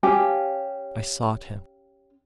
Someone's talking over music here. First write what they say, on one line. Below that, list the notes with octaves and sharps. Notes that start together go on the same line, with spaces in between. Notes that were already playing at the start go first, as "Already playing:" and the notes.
I sought him.
C#4 G4 F5